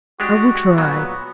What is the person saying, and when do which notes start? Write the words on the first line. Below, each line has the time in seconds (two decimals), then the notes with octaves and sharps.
"I will try."
0.20 G#3 D4 F#4 G4
0.77 A#2 F#3 B3